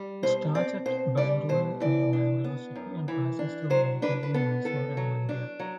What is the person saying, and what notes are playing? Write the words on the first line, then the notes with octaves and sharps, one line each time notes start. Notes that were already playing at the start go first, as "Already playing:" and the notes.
It starts at Bantwal near Mangalore city and passes through Madikeri, Mysore and Mandya.
Already playing: G3
B2 C5
C4 D5
B2 C5
G3 D5
B2 C5
E3 D5
D4
B3
F#2
E3
D4
F#3 C5
D4 B4
B4
B3 A4
D3 A4
F#3
D4
F#3